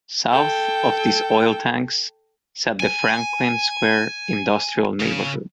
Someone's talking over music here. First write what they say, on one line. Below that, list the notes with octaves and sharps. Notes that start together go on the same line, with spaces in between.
South of these oil tanks sat the Franklin Square industrial neighborhood.
A4 G5
G#5
C#3